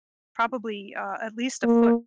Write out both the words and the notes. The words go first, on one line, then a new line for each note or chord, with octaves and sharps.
probably, uh, at least a foot
A#3